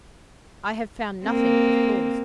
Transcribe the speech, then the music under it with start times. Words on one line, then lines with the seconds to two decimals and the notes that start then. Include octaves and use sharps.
I have found nothing, of course.
1.25 A#3 C4